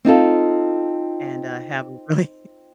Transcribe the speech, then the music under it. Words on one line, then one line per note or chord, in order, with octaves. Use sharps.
and, uh, have a really
C4 D#4 F4 A4